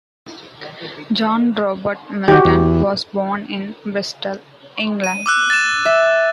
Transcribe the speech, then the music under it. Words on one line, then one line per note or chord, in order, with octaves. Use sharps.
John Robert Milton was born in Bristol, England.
D#3 F#4 G4
E2
D#7
D6 E6 F#6
A6 E7
E5